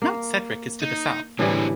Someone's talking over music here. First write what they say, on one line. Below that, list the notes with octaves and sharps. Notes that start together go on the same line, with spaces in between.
Mount Sedgwick is to the south.
A#3
D#4
A2 D3 E3 G3 C4 G#4